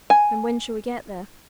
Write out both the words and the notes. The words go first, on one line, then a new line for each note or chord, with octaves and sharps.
"And when shall we get there?"
G#5